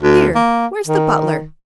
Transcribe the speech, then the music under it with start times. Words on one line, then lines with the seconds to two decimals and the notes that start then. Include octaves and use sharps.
'Here! where's the butler?
0.02 D2
0.35 A#3
0.87 D#3